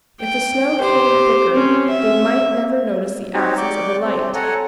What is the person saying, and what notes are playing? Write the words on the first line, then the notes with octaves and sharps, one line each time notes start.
If the snow came thicker they might never notice the absence of the light.
G5
G4 C5
C4 C#4
E5
C4 D#4 F#4 G4 C#5
D5 C#6 D6 G6
C4
A4 C#5 F#5 G#5 A#5